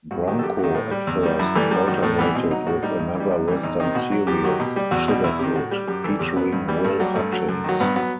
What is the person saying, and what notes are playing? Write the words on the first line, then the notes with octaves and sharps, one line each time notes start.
"Bronco" at first alternated with another Western series, "Sugarfoot", featuring Will Hutchins.
G2 F#4
D#3 F#3 G4
A4
F#2 G4
D#3 F#3
A2
G3
E2
D#3 G3
F#2 E4
E3 G3 A3
F#2 G3
D#3 F#3
A2 A3
E3 G3 B3
B2 C4
F#3 D#4
A2 F#4
G3 D#4
G2
E3
G3
F#2
E3 G3
E2 D#4
C3 D#3 D#4
B2 F#4
F#3
F#2 G4
D#3 F#3
B2
G3
E2 F#4
B2 G3
E2 E4
C3 D#3 G4
A2 F#4
G3 G4
F#2 G4
E3 G3 A4
E2 G4
C3 F#3 B3
G2
E3 G3
G2 A3
F#3 G3
G2 A3
F#3
F#2
D#3 F#3
G2 B3
F#3 B3